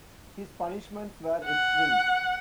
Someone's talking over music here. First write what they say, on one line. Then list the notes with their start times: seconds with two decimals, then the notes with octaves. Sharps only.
His punishments were extreme.
1.45 F#5